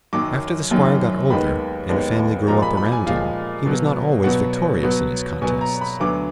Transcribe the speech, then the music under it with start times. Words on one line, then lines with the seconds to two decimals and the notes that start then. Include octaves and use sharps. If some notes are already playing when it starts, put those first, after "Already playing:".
After the squire got older, and a family grew up around him, he was not always victorious in his contests.
0.13 F#2 D#3 F#3 D6
0.71 F#2 D#3 F#3
1.30 D#2 D#3 G#3 B3 B5
1.89 D#2 D#3 G#3 B3
2.48 A#2 F3 G#3 A#5
2.62 B5
2.77 B5
2.92 G#5
3.06 A#2 F3 G#3 F5
3.66 B2 F#3 B3
4.24 B2 F#3 B3 F#5
4.83 B2 F#3 B3
5.42 B2 F#3 B3 G#5
5.61 A#5
5.81 B5
6.00 D2 D3 F#3 B3 D6